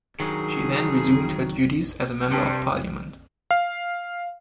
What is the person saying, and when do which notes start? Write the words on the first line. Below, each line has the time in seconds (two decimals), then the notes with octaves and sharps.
She then resumed her duties as a member of parliament.
0.20 G2 D#3 F#3 G#4
2.31 G2 C3
3.51 F5